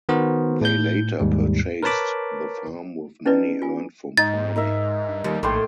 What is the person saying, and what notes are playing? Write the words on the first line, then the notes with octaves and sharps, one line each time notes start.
They later purchased the farm with money earned from farming.
D#3 B3 F#4 A#4 C5
A2 G6
D#2 G#2 G3
A#4 B4 C#5 A5 B5 D6
C#4 D#4 E4 B4 D5 D#5
F4 G#5
G#2 D#4 A6
D#4 A#4 E5
G2
D#2 G3
A#1 A2 G5 C6 D6